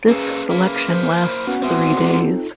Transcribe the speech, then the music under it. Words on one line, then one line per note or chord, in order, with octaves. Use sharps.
This selection lasts three days.
A#3 C#4 G#4 A4 B4
A#3 E4
C5
B3 C#4 F#4 B4
G3 G#3 B3 C4 E5
D#4 F4 A4